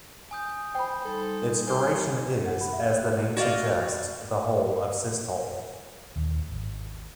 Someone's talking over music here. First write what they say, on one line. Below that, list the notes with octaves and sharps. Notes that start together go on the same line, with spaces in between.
Its duration is, as the name suggests, the whole of systole.
G#5 D#6 G6
C5 G5 B5
G3 D#4 A4 C6
C5 G#5
F#5
B5
E5
C#5
F#6
F#4 D5 D#5 F5
D#1 D#2
G#1